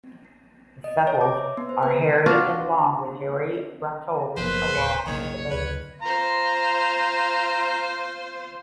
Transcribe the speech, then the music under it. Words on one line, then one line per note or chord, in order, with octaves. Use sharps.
The sepals are hairy and long with hairy bracteoles long at the base.
D#5
C#5
D6
E5
B3
C5
B4
D4 F4 F#4
F#1 B1 F3 A#3 B3 B4 C5
D1 A2 C#7 D7
F#1 B1 D#3 A#3 C#5
D2 B4
F4 C5 A#5